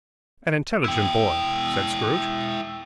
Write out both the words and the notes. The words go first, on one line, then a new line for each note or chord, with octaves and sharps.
'An intelligent boy!' said Scrooge.
E4 G5